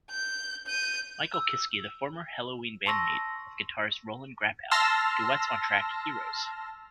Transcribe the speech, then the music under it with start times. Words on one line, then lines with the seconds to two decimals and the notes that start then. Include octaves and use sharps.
Michael Kiske, the former Helloween bandmate of guitarist Roland Grapow, duets on track "Heroes".
0.11 G6
0.67 G6 D#7
1.34 E6
2.86 A5 C6 C#6 E6 A#6
4.71 A5 C6 E6 F6 A#6